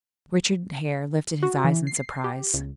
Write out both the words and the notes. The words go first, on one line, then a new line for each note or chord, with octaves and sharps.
Richard Hare lifted his eyes in surprise.
F#4
E3
C7
G4
C#2